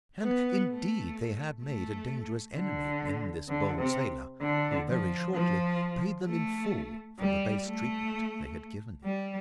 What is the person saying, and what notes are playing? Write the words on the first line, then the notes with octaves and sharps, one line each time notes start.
And indeed they had made a dangerous enemy in this bold sailor, who very shortly paid them in full for the base treatment they had given him.
B3
A3
A3
D3
D3
C3
D3
F3
F3
A3
G3
A3
G3